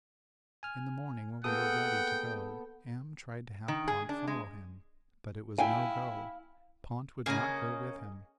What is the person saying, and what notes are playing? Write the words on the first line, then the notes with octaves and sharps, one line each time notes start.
In the morning when we were ready to go Am tried to have Pont follow him, but it was no go, Pont would not go with him.
G#5 F6
A#3 B3 G#4 A4 F#5 G5 D#6
D#3
G#4
D4
G#3
E4 F5 G5 G#5
C#3 A#3 C#4 G#4 D#5